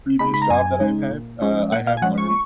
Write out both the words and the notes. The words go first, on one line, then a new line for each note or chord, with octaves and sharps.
previous job that I've had, uh, I have learned
C#3 G#3 D#4 B5
B5
A#5
F#2 G#5
C#3 G#3 D#4
A#2
F3 G#3 C#4
A#2 F#5
F5
G#5
F3 G#3 C#4 F#5
C#6